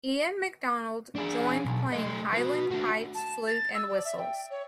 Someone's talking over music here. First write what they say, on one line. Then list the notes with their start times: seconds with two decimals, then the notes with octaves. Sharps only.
Iain MacDonald joined playing highland pipes, flute, and whistles.
1.15 D4 G#4
1.65 B1
1.93 A3 D#5
2.33 B3 F#4
2.72 D4 F#4
3.15 A5
3.47 A6
3.75 E6
3.89 D5
4.05 E5
4.19 G5
4.50 C#5